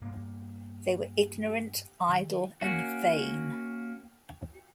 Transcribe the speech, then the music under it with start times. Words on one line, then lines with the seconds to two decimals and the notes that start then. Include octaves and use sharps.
They were ignorant, idle, and vain.
0.01 G2 A#3 B3
2.09 D#3
2.61 A#3 C#4 F#4